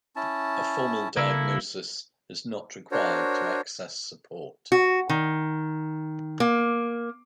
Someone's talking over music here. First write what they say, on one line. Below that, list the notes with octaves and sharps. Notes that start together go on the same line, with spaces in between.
A formal diagnosis is not required to access support.
C#4 E4 A5
C#3 A#3 E4 A4
D4 F#4 A#4 C5 C#5
F#4
D#3
A#3